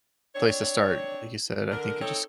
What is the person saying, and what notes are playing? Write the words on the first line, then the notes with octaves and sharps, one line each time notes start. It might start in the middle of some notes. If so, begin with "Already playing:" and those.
place to start. Like you said, I think you just
C4 D4 C#5
D3 A#4
C4 D#4 A4 C#5